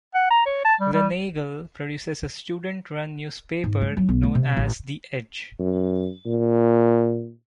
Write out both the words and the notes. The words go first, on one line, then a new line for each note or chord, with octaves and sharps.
Gleneagle produces a student-run newspaper known as The Edge.
F#5
A#5
C#5
A5
G3
G3
G#2
G#3
F#3
B1
A3
C3
A1
F#2
A#2